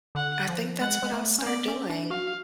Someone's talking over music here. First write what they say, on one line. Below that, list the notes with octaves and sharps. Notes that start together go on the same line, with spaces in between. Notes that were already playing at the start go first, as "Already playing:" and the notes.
I think that's what I'll start doing.
D3 F#5
F3
G#3 F#5
G#3
A3
C#4
B3 D5
C#4
D4
F#4 F5